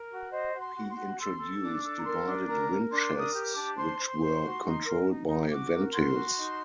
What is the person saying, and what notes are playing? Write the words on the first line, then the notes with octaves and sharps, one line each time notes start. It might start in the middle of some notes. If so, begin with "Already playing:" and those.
He introduced divided windchests which were controlled by ventils.
Already playing: A#4
F#4
C5 D#5
F#4
C6
F#4
C6
F#4
A4 C6
A4
D4 D6
A4
A#5
A#4 C6
D4
A#4 A#5
A#4
D4 C6
A#4
D#6
G4
D6
D4
C5 C6
C5
C5
F#4
D#4
A#4
D#4
D#4
F#4 D6
A#4
F#4 C6
F#4
D#4